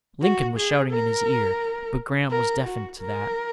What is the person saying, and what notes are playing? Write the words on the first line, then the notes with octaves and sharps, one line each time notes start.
Lincoln was shouting in his ear, but Graham was deafened to that.
F#4
G#4
A#4
A#4
F#4
A#4